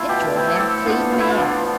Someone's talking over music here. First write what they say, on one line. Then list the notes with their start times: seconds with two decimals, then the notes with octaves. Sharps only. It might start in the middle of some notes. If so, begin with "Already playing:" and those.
It drove them clean mad.
Already playing: A3 E4 F4
0.08 B2 G4
0.34 A3 C4 E4
0.55 A2 G4 A4
0.86 E3 B3 D4 F4
1.12 A2 F4
1.20 E4
1.28 F4
1.37 E3 B3 D4
1.63 F3